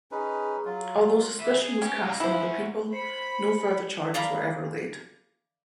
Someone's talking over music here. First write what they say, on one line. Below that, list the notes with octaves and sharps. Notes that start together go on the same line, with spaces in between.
Although suspicion was cast on other people, no further charges were ever laid.
C#4 D#4 G#4 B4
F#3 F4
B4 E5
G#4
C#4 G4
C#3 A#3
C#4 E4 F#4 C5
C5 B5 C7 C#7
D5 F5 A#5 B5